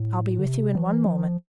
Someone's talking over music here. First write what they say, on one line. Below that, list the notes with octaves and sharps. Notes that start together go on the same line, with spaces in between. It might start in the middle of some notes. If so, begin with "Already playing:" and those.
I'll be with you in one moment.
Already playing: A2
D3
C3
E3
F3
E3
F3